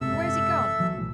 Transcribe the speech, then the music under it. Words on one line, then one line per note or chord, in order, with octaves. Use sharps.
Where's he gone?
F#1 G#2 C3 A4 E5 E6
A#1 E3 F#3
B1 A2